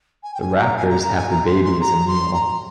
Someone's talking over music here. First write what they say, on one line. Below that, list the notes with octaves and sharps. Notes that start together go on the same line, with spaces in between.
The raptors have the baby as a meal.
G#5
G5
G#5
A#5
G#5
A#5
A#5
G#5
A#5
C6
C6
A#5
C6
A#5